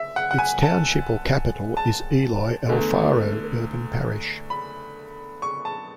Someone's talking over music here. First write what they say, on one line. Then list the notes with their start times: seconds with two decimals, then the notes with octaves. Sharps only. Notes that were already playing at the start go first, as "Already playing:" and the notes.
Its township or capital is Eloy Alfaro, urban parish.
Already playing: E5
0.16 F#5
0.31 F#5
0.38 G#5
0.63 A5
1.77 A5
2.68 E2 D3 A3
4.50 B5
5.42 C#6
5.65 A5